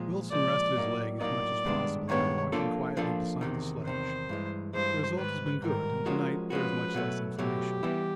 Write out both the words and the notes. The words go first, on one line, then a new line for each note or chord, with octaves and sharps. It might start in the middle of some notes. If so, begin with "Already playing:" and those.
Wilson rested his leg as much as possible by walking quietly beside the sledge; the result has been good, and to-night there is much less inflammation.
Already playing: A#2 F3 G#3
A#2 F3 G#3 D5
A2 F#3 A#3 D#4
A2 F#3 A#3 D#4 D5
G2 D#3 G#3 B3 D4
G2 D#3 G#3 B3 D4 C#5
F3 A#3 D4 F4 A4
F3 A#3 D4 F4 A4
E2 C3 D#3
E2 C3 D#3 C5
G2 E3 G#3
G2 E3 G#3 C5
G#2 D#3 G3 B4
G#2 D#3 G3 A#4
F3 G#3 C#4 F#4
F3 G#3 C#4 F#4 B4
B2 F#3 A3
B2 F#3 A3 G4
E3 G3 B3 E4